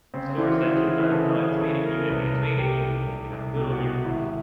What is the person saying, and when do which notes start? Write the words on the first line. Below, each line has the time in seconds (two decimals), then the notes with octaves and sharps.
Source engine, but no, it's made in Unity It's made in unity, you know, good old Unity.
0.14 C#3 C4
0.30 C4
0.38 E3 F4
0.46 F#4
0.63 E3
0.75 G#4
0.87 E3 A#4
1.00 B4
1.12 C#3 A4
1.36 C#3
1.50 G#4
1.60 C#3 A4
1.85 C#3 A#4
2.09 C2 B4
2.26 A#4
2.34 C2
2.42 A4
2.58 C2 G4
2.83 C2
3.07 C2
3.33 C2
3.56 B2 G4
3.72 F#4
3.80 B2
3.90 F#4
4.05 G#1 E4